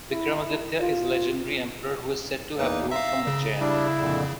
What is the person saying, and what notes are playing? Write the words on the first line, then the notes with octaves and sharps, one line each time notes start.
Vikramaditya is a legendary emperor, who is said to have ruled from Ujjain.
E4
F4
E2 A#3 D#4 B4
E5 F5 A#5 E6
C#3
G3 D4 E4
F2 A#2 D3